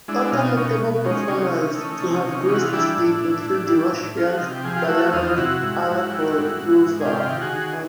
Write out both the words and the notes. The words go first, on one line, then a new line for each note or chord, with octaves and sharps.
Other notable performers to have graced its stage include the Russian ballerina Anna Pavlova.
G#3 D4 E4
B2 D#4 F4
B2 C#4 D#4
B2
G#3 C#4 D#4
C3 C#4 D#4
E3
A3
C3
C3
E3 F#4
F4
G3 D4 E4
A2
A2
A2
G3
A2
F3 F4
F#4
C3 D#4 F4
G4
F3 G#4
F4 G4
A3 E4 F#4
E2 D#4 F4
C3 E4 F#4
G#2
G#2
G3
G#2
G#2
G#2
G#4
C3 F4 G4
D#3
F#4 G#4
D#3